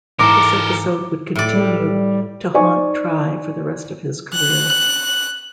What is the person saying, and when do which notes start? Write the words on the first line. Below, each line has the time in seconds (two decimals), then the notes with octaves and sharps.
This episode would continue to haunt Try for the rest of his career.
0.19 G#2 E3 A4 A#4 A#5 D6
1.35 A2 D5
1.53 G3
2.54 D#4 C5 D5 G#5 C#6
4.34 F#6